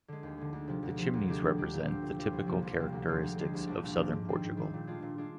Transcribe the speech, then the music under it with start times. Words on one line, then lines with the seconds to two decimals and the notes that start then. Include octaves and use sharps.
The chimneys represent the typical characteristics of southern Portugal.
0.08 D3 G#3
0.23 D#2
0.38 D3 G#3
0.53 D2
0.68 C3 F3
0.83 D2
0.97 C3 F3
1.13 D2
1.28 D3 G#3 D4 G4
1.43 D2
1.57 D3 G#3 D4 G4
1.73 A#2
1.88 F3 C4 G4
2.03 A#2
2.18 F3 C4 G4
2.33 C2
2.47 C3 F3 A#3
2.62 C2
2.78 C3 F3 A#3
2.93 D2
3.08 D3 G#3 C4
3.23 D2
3.38 D3 G#3 C4
3.53 C2
3.67 A#2 F3 A#3 D4
3.83 C2
3.97 A#2 F3 A#3 D4
4.12 G#2
4.29 D#3 G3 C4
4.44 G#2
4.57 D#3 G3 C4
4.74 A#2
4.87 G#3 D4 F4
5.02 A#2
5.18 G#3 D4 F4